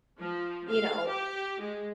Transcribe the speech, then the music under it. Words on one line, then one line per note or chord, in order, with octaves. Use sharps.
you know,
F3
F5
G4
G#3